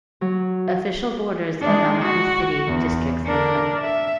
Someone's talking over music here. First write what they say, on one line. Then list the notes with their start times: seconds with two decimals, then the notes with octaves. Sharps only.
Official borders of Almaty city districts on the map.
0.21 F#3
1.61 G#3 D4
2.02 F#4
2.67 E2
3.26 D4 A#4
3.82 E5